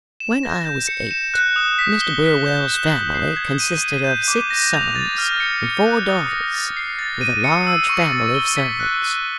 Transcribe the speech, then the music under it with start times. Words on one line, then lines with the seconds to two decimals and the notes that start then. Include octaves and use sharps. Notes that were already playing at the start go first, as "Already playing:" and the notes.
When I was eight, Mr. Burwell's family consisted of six sons and four daughters, with a large family of servants.
0.20 E7
0.43 A#6
0.65 G6
0.88 C#7
1.11 E7
1.34 F#6
1.56 D#6
1.79 B6
2.01 G7
2.24 B6
2.46 G6
2.69 E7
2.92 F#7
3.14 C7
3.36 G#6
3.60 D#7
3.82 D#7
4.04 G6
4.28 D6
4.50 A#6
4.73 F7
4.95 A6
5.18 F6
5.40 C#7
5.63 C#7
5.86 F#6
6.08 D#6
6.31 A#6
6.54 A6
6.77 C7
6.99 A6
7.21 D#7
7.44 C#7
7.67 E6
7.89 C#6
8.12 A6
8.35 G7
8.57 B6
8.80 F#6
9.02 D#7